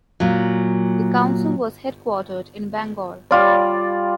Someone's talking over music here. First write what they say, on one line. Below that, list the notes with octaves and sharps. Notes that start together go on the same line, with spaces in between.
The Council was headquartered in Bangor.
A#2 F#3
G3 F4 D5